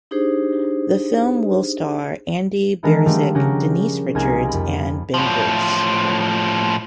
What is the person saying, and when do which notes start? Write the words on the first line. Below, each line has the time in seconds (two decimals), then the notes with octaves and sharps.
The film will star Andy Biersack, Denise Richards, and Ben Bruce.
0.11 D4 D#4 G4 G#4 C5
2.83 D#3 E3 G#3 B3 D4 A#4
3.06 F3 G3 A3 D4 G4 A#4
3.35 C#3 C#4 F#4 G4 A#4
4.15 C2 A#3 D#4 A#4 G#5 G#6
4.49 F2 B5
5.14 A2 F3